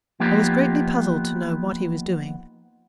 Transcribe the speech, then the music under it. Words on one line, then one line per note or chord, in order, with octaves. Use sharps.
I was greatly puzzled to know what he was doing.
F3 A#3 B3 D#4 F4 G4